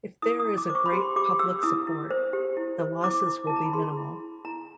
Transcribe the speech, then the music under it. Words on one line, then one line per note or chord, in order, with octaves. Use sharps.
If there is a great public support, the losses will be minimal.
E4 D#6
D#6
E4
D6
C5 D6
C#6
B5
G4 C6
G4 D6
G4 E6
E4 D#6
E4
C5
G4
E4
C5
E4 D6
E4
E4 A5
A#5
B5
G#4 C6
E4
E4
E4 A#5